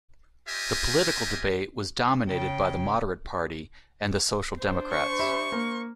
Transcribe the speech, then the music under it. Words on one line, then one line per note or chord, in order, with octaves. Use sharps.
The political debate was dominated by the Moderate Party and the Social Democrats.
F4 G4 C5 D#5 E5 G#5
C#3 G5
D4 C5
C#6
G4 E5 B5
A#3